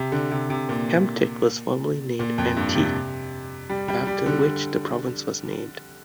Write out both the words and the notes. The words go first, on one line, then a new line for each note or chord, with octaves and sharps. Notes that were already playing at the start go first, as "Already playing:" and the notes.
Hamtic was formerly named "Antique", after which the province was named.
Already playing: C3
D3
C3
C3
A#2
A#2
F2
G2
C3
G3
G3
G3
D3